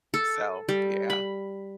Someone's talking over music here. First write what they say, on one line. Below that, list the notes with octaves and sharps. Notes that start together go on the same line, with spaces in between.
So, yeah.
A4
G3
B5